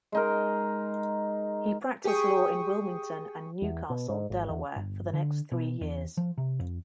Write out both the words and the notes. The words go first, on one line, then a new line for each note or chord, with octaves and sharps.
He practiced law in Wilmington and New Castle, Delaware, for the next three years.
G#3 D#4 A#4
G4 G#4 G5 C#6 D#6
E2
B2
G#2
G#1
E2
G1
D3
B2
E2
F3
C3
F2